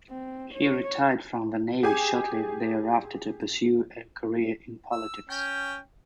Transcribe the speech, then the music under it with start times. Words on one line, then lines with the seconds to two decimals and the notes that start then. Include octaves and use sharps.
He retired from the Navy shortly thereafter to pursue a career in politics.
0.10 C4
0.54 C#5
1.83 G4 G#4 G#5
4.92 E6
5.30 C#4 G5